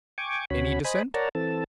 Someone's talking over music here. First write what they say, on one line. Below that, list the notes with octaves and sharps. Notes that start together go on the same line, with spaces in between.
Any dissent?
G5 G#5 C#6 D6
D2 C#4 F#4 C#5 B5
C5 D#5 G#5 B5
A#4 C#5 D5 F#5 A5 A#5
E3 C4 A4 A5